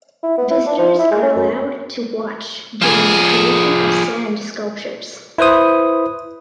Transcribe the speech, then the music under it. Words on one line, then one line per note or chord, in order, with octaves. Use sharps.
Visitors are allowed to watch during the creation of sand sculptures.
E4
B3
E4
D4
F3
E4
G#3
C#4
F#2
F3 G#4
E4 B4 C5 D#6